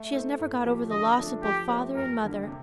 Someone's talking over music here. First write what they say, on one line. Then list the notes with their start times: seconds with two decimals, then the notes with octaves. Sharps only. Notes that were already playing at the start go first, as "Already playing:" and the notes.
'She has never got over the loss of both father and mother.'
Already playing: A3
0.12 D#4 A4 C5
0.39 A2
0.65 F3 C4 G4
0.91 D3 D#5
1.17 F3 A3 D4 A4
1.43 F3 G4
1.69 A3 C4 G4
1.95 F2 A#4
2.22 D3 G3 A#3
2.47 C3